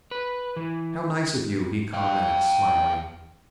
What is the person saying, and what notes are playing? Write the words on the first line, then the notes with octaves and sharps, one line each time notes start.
"How nice of you!" he commented, smiling.
B4
E3
F5 G5